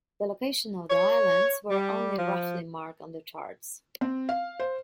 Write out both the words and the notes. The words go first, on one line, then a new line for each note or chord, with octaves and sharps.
The location of the islands were only roughly marked on charts.
C#5
G3
F3
C4
F5
C5